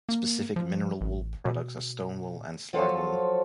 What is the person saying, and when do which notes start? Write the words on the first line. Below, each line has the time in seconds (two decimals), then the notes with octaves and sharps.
Specific mineral wool products are "stone wool" and "slag wool".
0.09 A#3
0.56 F3
1.01 A1
1.45 B2
2.73 F3 F#3 F4 A4 C5 C#5